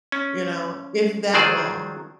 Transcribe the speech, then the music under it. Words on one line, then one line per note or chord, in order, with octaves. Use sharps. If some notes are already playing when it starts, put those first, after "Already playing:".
you know, if that long.
C#4
D#3 F3 F#3 G#4 C5 D5